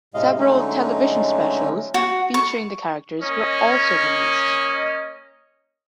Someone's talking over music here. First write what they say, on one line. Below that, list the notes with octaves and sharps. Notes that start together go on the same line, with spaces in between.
Several television specials featuring the characters were also released.
A2 C3 G#3 D#5 F5
D3 F#3 G#3 A3 C#4 D#4
F#4
C#6
A#3 C#4 D#5